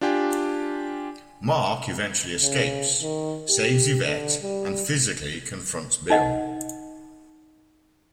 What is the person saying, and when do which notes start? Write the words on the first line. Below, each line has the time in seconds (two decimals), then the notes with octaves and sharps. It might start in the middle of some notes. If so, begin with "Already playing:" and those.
Mark eventually escapes, saves Yvette, and physically confronts Bill.
0.01 D4 F4 G4 G5 G#5
2.42 C#3
3.02 D#3
3.50 G4
4.03 D3
4.42 G3
6.10 D#4 D#5 F#5